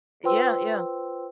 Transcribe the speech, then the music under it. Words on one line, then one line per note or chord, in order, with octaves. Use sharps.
Yeah, yeah.
F4 B4 C5 G5 C6 E6